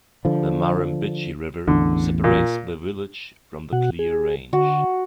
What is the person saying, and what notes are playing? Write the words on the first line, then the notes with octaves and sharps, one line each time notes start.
The Murrumbidgee River separates the village from the Clear Range.
D3 F3
A1 E2 D3
A#2
B2 F#4 F#5
G#4
D3 F#4